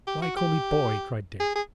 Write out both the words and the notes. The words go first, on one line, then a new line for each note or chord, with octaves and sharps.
"Why call me 'boy'?" cried Dick.
G4
F#4
G4
G#4
G#4